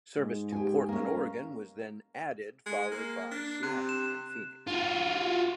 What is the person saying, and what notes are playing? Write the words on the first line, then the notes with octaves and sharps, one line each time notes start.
Service to Portland, Oregon was then added followed by Seattle and Phoenix.
G#2 G#3
G4 G#5
A#3 C#4
G#3
A#3
D4
C3 F#6
E7
F4 F#4